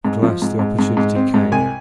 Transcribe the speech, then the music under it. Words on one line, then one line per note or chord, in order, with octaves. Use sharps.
At last the opportunity came.
G#2
F3
G#2
G#2
G#2
G#2
C4
G#2
C2 G#5